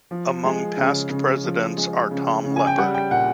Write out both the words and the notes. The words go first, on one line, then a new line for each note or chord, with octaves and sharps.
Among past presidents are Tom Leppard.
F3
G#3
C#3
C#3
F3
G#3
C#3
C#3
G#5
G5
G3 F#5
G5
A#2 F#5